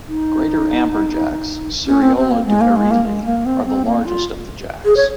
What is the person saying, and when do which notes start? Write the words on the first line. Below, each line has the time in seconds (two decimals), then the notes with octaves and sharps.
Greater amberjacks, "Seriola dumerili", are the largest of the jacks.
0.08 D#4
1.87 C#4
2.02 C4
2.17 C4
2.31 A#3
2.46 G#3
2.61 A#3
2.76 G#3
2.91 A#3
3.06 G#3
3.25 A#3
3.46 C4
3.61 A#3
3.65 C4
3.85 A#3
4.05 F4
4.85 G#4
4.97 C#5